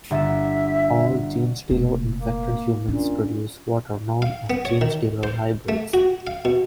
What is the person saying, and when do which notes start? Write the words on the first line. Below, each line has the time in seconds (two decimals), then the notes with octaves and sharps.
All genestealer-infected humans produce what are known as genestealer hybrids.
0.10 G1 E5 A6 E7
1.69 F1 A#2
2.19 A#3
2.88 A#2 C#4 D4
4.22 F5
4.50 B3
4.65 C#5
4.81 D#3
5.23 C5
5.69 A3
5.94 F#4
6.27 F5
6.45 B2